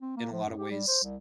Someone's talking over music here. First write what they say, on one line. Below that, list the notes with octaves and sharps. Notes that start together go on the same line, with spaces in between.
In a lotta ways,
C4
A#3
F3
F#2
G4
G3
C5
C2